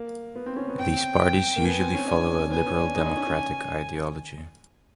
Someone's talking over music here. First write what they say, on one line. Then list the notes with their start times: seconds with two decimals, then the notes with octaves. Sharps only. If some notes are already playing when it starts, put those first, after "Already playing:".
These parties usually follow a liberal democratic ideology.
Already playing: A#3
0.36 B3
0.46 C4
0.57 C#4
0.68 B3
0.78 C4 G5
1.56 A#3
1.64 B3 G#5
1.79 C4
1.94 C#4
2.08 D4
2.52 B3 G#5
2.66 C#4
2.81 D4
2.95 D#4
3.06 D4
3.16 C#4
3.27 C#4